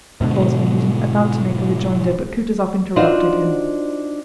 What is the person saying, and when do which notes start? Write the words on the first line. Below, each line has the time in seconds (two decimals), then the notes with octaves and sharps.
Wolzogen was about to make a rejoinder, but Kutuzov interrupted him.
0.21 G#2 B2 D3
2.96 D4 D#4 F4 F#4 C5